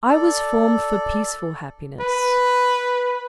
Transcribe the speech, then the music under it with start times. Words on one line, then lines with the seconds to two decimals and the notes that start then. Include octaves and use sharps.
I was formed for peaceful happiness.
0.08 A4 D5
2.01 B4